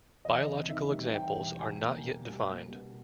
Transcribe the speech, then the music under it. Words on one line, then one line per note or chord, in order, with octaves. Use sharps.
Biological examples are not yet defined.
E2 D#5
C3
D#3 E5
G3
E2 G5
B2
G3 G#5
A#3
B2
G3
A#3
B2